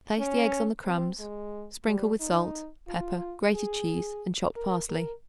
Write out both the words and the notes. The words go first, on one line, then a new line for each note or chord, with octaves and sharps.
Place the eggs on the crumbs; sprinkle with salt, pepper, grated cheese and chopped parsley.
C#4
C4
G#3
G3
D#4
F4
G#4
A#4
A#4